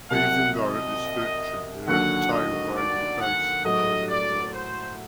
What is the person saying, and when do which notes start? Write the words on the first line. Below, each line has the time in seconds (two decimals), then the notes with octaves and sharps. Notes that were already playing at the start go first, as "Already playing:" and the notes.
Even though it is a fiction, the tale may be based on earlier works.
0.10 C2 C3 F#3 F#5
0.54 D#5
1.88 D#2 D3 F#3 F#5
2.32 D#5
2.77 D5
3.21 F#5
3.65 A2 F#3 A3 D#5
4.09 D5
4.53 C5